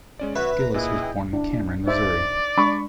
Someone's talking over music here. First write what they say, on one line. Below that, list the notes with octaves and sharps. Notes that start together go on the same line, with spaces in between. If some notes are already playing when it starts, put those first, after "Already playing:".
Gillis was born in Cameron, Missouri.
G#3 C#4 D5
F#4 B4 C#5 E5
A#5
A#2 E4 G#4 D#5
G5
D4 E4
D#4 C5 D5 E5
G#3 D4 B5 C#6